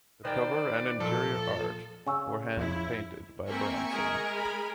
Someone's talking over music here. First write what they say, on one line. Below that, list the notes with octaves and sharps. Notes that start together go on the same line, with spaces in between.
The cover and interior art were hand painted by Bronson.
D#3 B4 C5 D5 G5
A#2 F3 A3 A4
C#3 G#5 C#6 E6
F2 E4
A#3 C4 E5 G#5 C#6
G#3 G#4 A#4
B5